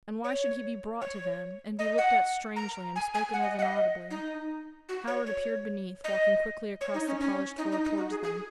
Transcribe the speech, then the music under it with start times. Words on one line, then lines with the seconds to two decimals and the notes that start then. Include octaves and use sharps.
And why should he be brought to them, and be looked at strangely and spoken of inaudibly? Howard appeared beneath, walking quickly across the polished floor towards them.
0.24 C#5
1.01 C#5
1.79 D#5
1.98 F#5
2.56 A#5
2.96 G#5
3.14 G#5
3.33 F#5
3.43 D#5
3.59 F#5
3.63 D#5
4.11 D#4
4.89 F#4
5.07 C#5
5.26 C#5
6.04 D#5
6.81 C#5
6.94 D#4
7.07 C#4
7.20 C#4
7.58 D#4
7.72 D#4
7.84 D#4
7.97 F#4
8.10 G#4
8.23 G#4